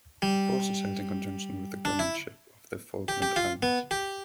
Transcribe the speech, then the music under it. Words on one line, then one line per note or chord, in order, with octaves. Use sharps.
The post is held in conjunction with the Governorship of the Falkland Islands.
G3
D4
E4
G4
G4
F4
B3
G4